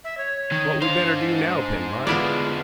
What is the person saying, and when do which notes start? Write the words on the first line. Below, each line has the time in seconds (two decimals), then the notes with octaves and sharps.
"What we better do now, Penrod?"
0.04 E5
0.18 C#5
0.52 D#3
0.82 D4 D#4 C5 F5
2.07 D3 G#3 B3 E4 F4 D5